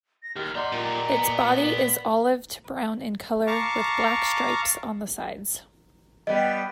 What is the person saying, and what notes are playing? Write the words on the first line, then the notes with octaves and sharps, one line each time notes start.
Its body is olive to brown in color, with black stripes on the sides.
A#6
D#2 G4 F6
D5 D#5 F#5 A#5 C6 G6
A#2 F4 G4 A#5
B3
D5
F5 A5 A#5 C#6 D6
G3 B3 D#5